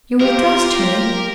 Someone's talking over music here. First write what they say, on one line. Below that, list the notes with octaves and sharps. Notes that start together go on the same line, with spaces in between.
You'll trust me?
F4 G4 A#4